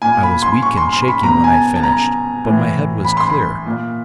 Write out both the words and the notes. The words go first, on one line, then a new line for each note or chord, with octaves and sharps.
I was weak and shaking when I finished, but my head was clear.
A#2 G#5
B5
C6
C#6
C6
C6
B5
B2 A#5
G#5
A5
A5
A#5
A2 E3
B5
C6
B5
A#2